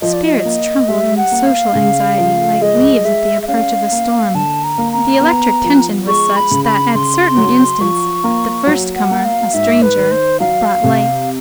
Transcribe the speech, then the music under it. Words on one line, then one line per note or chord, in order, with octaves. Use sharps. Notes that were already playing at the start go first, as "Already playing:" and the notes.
Spirits trembled in the social anxiety like leaves at the approach of a storm. The electric tension was such that at certain instants, the first comer, a stranger, brought light.
F3 D#5
D5
D#5
A#3
G3 E5
F#5
A#3
F5
C#3
F3
G#3 D#5
G#3 E5
E5
C#4 F5
A#3
D3 A5
A#5
A#3
A#5
B3
F3
G#3 C#6
B5
C#3
B5
C#3 C6
F#3
F3 C#6
A#3
F#3
F#5
A#3
F5
G#2 E5
B4
D#3
C5
F#3 F5
C3